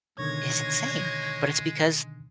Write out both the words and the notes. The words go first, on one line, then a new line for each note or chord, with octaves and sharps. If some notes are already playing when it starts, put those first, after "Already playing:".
is insane, but it's because
B2 D3 D#3 G#3 C#5 G#6 A#6